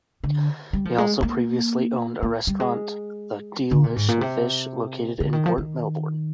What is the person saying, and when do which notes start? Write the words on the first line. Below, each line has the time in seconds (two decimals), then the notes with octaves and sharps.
He also previously owned a restaurant, the "D'lish Fish" located in Port Melbourne.
0.24 D3
0.73 G3
0.85 F3
0.98 G#3
1.23 A#3
2.23 A#3
2.47 G3
2.60 G#3
3.71 D3
3.84 A#2
3.96 G#2
4.08 A#2
4.21 C3
5.20 D3
5.33 D#3
5.46 F3
5.58 D#3